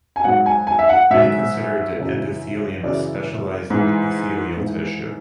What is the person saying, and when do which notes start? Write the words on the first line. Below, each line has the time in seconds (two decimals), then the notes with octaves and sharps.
Many considered the endothelium a specialized epithelial tissue.
0.16 G#5
0.24 G#2 F#3 F#5
0.46 G#5
0.67 G#5
0.79 E5
0.89 F#5
1.11 G#2 F#3 E5
1.97 F#2 C#3 E3
2.83 F#2 C#3 E3 D5
3.70 G#2 E3
4.57 G#2 E3